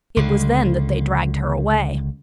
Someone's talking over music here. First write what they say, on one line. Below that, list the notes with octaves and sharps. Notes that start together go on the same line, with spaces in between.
It was then that they dragged her away.
C#2 D3